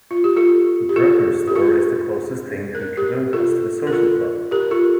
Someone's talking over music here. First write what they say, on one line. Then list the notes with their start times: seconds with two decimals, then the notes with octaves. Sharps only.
Drucker's Store is the closest thing Hooterville has to a social club.
0.11 F4
0.24 G4
0.37 F4 A4
0.89 G4
0.96 F4 A4
1.48 G4
1.55 F4 A4
2.75 A#4
2.97 G4 A#4
3.33 F4 A4
3.87 A#4
3.93 F4 A4
4.51 G4 A#4
4.71 F4 A4